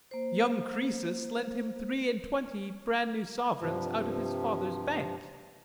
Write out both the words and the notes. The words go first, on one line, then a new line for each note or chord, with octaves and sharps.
Young Croesus lent him three-and-twenty bran-new sovereigns out of his father's bank.
A#3 C5
G2 C3 F3